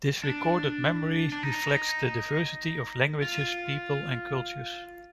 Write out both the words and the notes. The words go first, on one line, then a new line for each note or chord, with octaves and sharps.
This recorded memory reflects the diversity of languages, people, and cultures.
D4
D4
D#4
F4